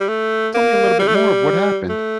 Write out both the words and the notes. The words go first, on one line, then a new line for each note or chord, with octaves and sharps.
tell me a little bit more of what happened.
G3
A3
A#3
G3
A3
G3
A3